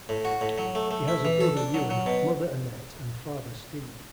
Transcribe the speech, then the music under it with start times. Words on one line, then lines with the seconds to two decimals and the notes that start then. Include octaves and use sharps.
He has a brother Euan, mother Annette and father Steve.
0.09 A2
0.25 F#4
0.41 A2
0.58 F#3
0.75 A3
0.91 A3
1.08 E4
1.25 E3
1.40 A4
1.57 D4
1.74 F#3
1.90 F#3
2.06 B2